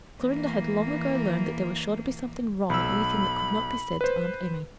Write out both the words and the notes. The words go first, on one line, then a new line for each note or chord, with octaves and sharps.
Clorinda had long ago learned that there was sure to be something wrong in anything that could not be said to Aunt Emmy.
E3 A#3
B1 B5 E6
B4 C5